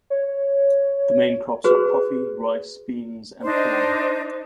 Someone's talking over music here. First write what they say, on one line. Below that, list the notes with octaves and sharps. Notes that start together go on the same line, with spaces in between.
The main crops are coffee, rice, beans, and corn.
C#5
F#4 G#4 B4 C5
D4 D#4 C5 D#5